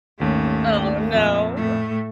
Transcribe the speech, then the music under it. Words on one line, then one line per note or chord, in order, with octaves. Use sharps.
Oh, no.
G#1 D#2 A3 C#4
F2 A#2 E5
A2 A3